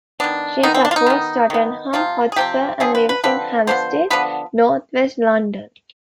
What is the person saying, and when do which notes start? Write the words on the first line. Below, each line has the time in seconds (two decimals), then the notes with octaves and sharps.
She supports Tottenham Hotspur and lives in Hampstead, north west London.
0.20 D#3 B3 D4
0.63 D#3 B3 D#4
0.74 C4
0.85 D4
0.91 F4
0.96 D#4
1.06 D#3 B3
1.50 D#3 B3
1.93 C3 F3 C4 F4
2.32 G#4
2.36 C3 F3 C4 G4
2.80 D3 F3 C4 G#4
2.95 B4
3.09 B4
3.23 D3 F3 C4 B4
3.67 D3 F3 B3 C5
4.10 D3 F3 B3 B4